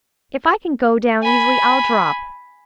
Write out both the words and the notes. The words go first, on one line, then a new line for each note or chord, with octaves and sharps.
If I can go down easily, I'll drop.
G#5 B5